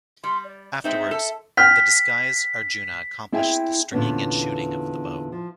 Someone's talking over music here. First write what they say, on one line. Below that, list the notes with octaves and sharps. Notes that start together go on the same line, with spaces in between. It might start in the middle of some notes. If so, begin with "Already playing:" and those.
Afterwards, the disguised Arjuna accomplished the stringing and shooting of the bow.
G3 C6
D5
G#3 C4 D#4 E5
A4
G5 F6 B6
C4 E4 G#4 E5 G5 G#5
E2 A#2 D3 B3 C#4
F3